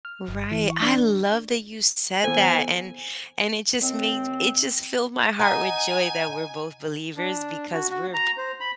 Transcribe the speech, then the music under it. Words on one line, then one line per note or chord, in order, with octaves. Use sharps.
Right, I love that you said that and, and it just made it just filled my heart with joy that we're both believers because we're
F6
G1
E3
C#6
D4
B3 A4 C5 G#5
D#2 C4
D#4 F#5 G#5 A#5
D4
F#4
F#4
A#5
C5
B5